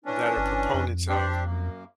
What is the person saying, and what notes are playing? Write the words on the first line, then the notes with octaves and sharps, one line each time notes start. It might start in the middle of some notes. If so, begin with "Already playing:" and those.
that are proponents of
E3 C#4 D4
G1
F2
C4 D4 G4
F#2 A#3